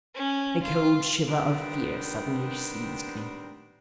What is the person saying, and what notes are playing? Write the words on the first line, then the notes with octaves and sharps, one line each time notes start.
A cold shiver of fear suddenly seized me.
C#4
F4
D#3 G3 B3 C4 D4 A#4